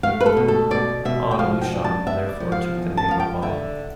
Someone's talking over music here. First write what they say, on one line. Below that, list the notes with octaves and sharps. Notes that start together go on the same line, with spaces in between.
An Lushan therefore took the name of An.
A3 F5
B4
A4
B2
A4
B2 D5
B2 E5
G5
F3 F5
G5
D4
A5
B3 E5
D5
F3
F5
E2
A5
F3 F5
G5
D3 E5